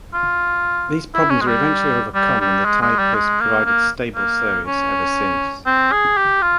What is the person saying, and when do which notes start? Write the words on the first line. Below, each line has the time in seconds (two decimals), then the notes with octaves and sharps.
These problems were eventually overcome and the type has provided stable service ever since.
0.13 F4
1.14 E4
1.30 C#4
1.41 G#3
1.47 G3
2.14 G3
2.40 G3
2.65 G#3
2.82 G#3
2.99 G3
3.15 G#3
3.41 A#3
3.66 A#3
4.15 A#3
4.67 C#4
5.66 C4
5.92 G#4
6.17 G4
6.42 F4